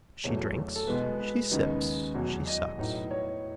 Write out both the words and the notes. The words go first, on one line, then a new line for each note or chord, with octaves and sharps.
She drinks, she sips, she sucks.
E2 B2 F#3 A3 C#5
A4
B2 G#3 B3 B4
B4
D#2 C#3 G#3 B3 D#4
E2 B2 F#3
D#5
A2 F#3 B3 D#4
C#5